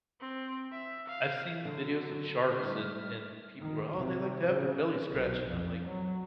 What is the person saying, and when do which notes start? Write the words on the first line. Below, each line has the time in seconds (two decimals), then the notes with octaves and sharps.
I've seen the videos of sharks and and people are, "Oh, they like to have their belly scratched," and I'm like,
0.21 C4
0.72 E5
1.08 F5
1.65 D3 F#3
2.59 A2 G3 E5 F6
3.61 D#3
3.97 C3
4.48 C#3
5.12 B1
5.49 F2
5.85 F#3